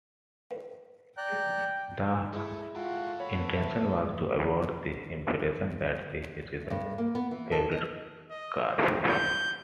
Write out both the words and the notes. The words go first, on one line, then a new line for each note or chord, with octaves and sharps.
The intention was to avoid the impression that the decision favoured Karpov.
D5 G5 A#5 F#6
G#3 A3 E4
F4 F#4 A4 F#5 G5 C6
F#4 C#5 B5
B4 E5
G2
A#3
B3
E3
A4
D#5
D#5
C5
G6